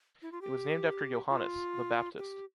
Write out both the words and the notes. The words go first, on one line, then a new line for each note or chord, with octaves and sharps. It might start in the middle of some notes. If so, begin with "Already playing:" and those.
It was named after Johannes, the baptist.
E4
F4
G4
F4
G4